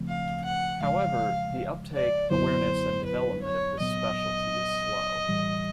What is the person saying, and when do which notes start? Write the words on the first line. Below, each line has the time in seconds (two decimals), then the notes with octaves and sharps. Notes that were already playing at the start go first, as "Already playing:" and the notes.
However, the uptake, awareness and development of this specialty is slow.
Already playing: D2 C#3 F3 A3 C4
0.08 F5
0.45 F#5
0.82 E2 C#3 F3 G#3 F5
1.94 D5
2.31 F#2 D3 F#3 B3 E4 C5
3.05 B4
3.43 C#5
3.80 A#2 F#3 B3 D#5
5.28 A2 E3 G3